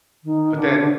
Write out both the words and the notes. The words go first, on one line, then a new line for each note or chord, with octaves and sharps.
but then
D#3
D3
D3